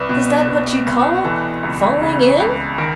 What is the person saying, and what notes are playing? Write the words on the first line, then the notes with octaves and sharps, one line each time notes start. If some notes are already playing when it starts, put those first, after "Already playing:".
"Is that what you call FALLING IN?"
Already playing: C2 B4
B2
B2
C2
E3 A4
C#2
C#3
C#2
D#3 A#4